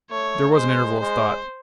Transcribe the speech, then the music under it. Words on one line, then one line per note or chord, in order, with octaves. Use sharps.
There was an interval of thought.
A3 C#5
G#3 C5
G#3 C5